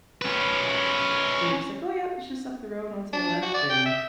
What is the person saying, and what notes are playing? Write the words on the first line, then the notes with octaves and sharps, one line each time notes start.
they were just like, "Oh, yep. It's just up the road onto the left." And
C#4 B4
D4
F#4
D5
G5
E5